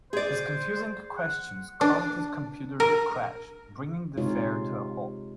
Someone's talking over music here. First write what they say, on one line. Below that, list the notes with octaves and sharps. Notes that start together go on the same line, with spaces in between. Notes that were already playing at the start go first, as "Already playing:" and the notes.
His confusing questions cause this computer to crash, bringing the fair to a halt.
G#4 C5 D5
F#5
D4
A#4
C3 G#3 D#4 F4 C#5